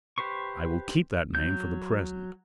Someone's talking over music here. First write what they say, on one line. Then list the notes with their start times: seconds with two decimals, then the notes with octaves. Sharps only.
I will keep that name for the present.
0.18 G4 B4 C5 C#6
1.35 F#3 G6